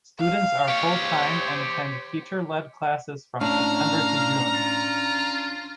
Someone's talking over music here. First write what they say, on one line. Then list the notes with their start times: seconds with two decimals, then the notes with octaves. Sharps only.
Students are full-time and attend teacher-led classes from September to June.
0.20 F5
0.68 G4 C#5
1.03 C5
3.41 A2 C#4 D4 F5 A#5
4.54 F4